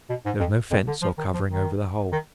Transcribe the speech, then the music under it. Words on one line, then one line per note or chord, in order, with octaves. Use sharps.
There was no fence or covering over the hole.
B2
G#2
F2
F2
D3
F3
D#3
F3
D#3
D#3